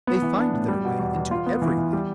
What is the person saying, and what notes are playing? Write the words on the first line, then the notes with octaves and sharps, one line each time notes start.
They find their way into everything.
B3
E3
D4
A2
G3
B2
E2
E2
F4
B3
E3
E3
G3